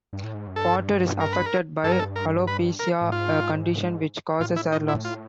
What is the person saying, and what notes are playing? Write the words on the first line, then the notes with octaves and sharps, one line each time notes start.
Porter is affected by alopecia, a condition which causes hair loss.
G2
A2
G#2
F#2
G2 A4
A#4
B4
A#4
G2 A4
A#4
A4
A#4
B4
A#4
A2
G#2 F4
A2 F4
E4
D#4
E4
F4